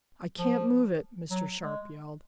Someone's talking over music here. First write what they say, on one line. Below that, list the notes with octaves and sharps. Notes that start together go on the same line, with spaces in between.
"I can't move it!" Mr. Sharp yelled.
F3
F#3
G#3